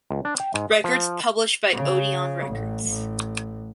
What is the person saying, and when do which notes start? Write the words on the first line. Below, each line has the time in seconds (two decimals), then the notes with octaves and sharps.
Records published by Odeon Records.
0.10 C#2
0.25 D4
0.40 G5
0.54 G#2
0.71 D#5
0.84 F3
1.73 C#3
2.48 A1
2.88 A1